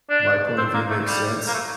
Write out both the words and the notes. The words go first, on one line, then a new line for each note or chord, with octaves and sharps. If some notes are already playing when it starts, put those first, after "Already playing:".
my point of view makes sense?”
D4
C4
A#3
A3
G3
A#3
A3